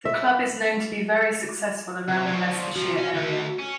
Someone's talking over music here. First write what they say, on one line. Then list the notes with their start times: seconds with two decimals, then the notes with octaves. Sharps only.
The club is known to be very successful around the Leicestershire area.
0.05 E5
0.92 G#3
2.08 C3
2.25 F3 F#3 D5
2.76 C3 F3 F#4
2.98 C#4
3.14 D3 A3
3.59 C#4